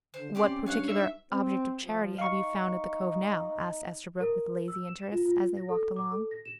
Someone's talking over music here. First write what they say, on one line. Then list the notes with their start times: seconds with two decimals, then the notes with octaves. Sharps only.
"What particular object of charity have you found at the Cove now?" asked Esterbrook, with lazy interest, as they walked along.
0.14 D3 C5
0.35 C3 C#4 G4 D5 C6
0.66 G2 C#5 F5 F#5
0.89 D#4 E5
1.31 C4
1.83 F3
2.19 D#4 F5 C#6
4.20 A#4
4.68 E6
4.87 E7
5.12 F4
5.26 F4
5.57 A#6
5.69 A4
5.96 D6
6.12 A4
6.31 A#6
6.45 E7